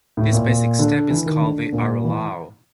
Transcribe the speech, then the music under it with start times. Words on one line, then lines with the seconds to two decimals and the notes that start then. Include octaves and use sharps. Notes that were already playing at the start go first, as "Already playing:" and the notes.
This basic step is called the arrollao.
0.17 A2
0.33 A#2
0.48 A#2
0.79 D3
1.10 E3
1.26 D#3
1.42 D3
1.73 A#2
2.04 E3